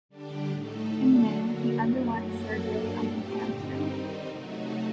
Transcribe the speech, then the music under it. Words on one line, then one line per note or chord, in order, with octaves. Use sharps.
In May, he underwent surgery on his hamstring.
D3 G3 D4 G4
A2 A3 D#4 A4
D3 F#3 A3 D4 A4
D3 F#3 A#3 F#4
F#2 D#3 F#3 A3
F#2 F#3 A#3 F#4 A4
G2 F#3 A#3 D4 A4
A#2 A3 C4 G4
G2 D3 G3 C4 D#4
D#3 G3 C4 D#4
C3 F#3 A3 D#4 F#4